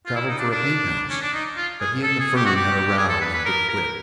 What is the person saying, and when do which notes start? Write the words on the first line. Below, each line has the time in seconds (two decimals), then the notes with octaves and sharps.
Traveled for a paint house, but he and the firm had a row and Dick quit.
0.06 F4
0.16 E4
0.28 D#4
0.39 D4
0.50 D4
1.10 C#4
1.22 D4
1.33 D#4
1.57 F4
1.80 G#4
2.03 A4
2.20 G#4
2.36 G4
2.46 F#4
2.56 G4
2.98 G#4
3.09 A4
3.21 B4
3.33 B4
3.45 A#4
3.69 A#4